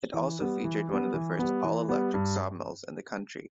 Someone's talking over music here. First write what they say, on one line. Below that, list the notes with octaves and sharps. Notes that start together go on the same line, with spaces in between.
It also featured one of the first all-electric sawmills in the country.
E3
G3 B3
E3
G3 B3
E3
G3 B3
E3
G3 B3
G2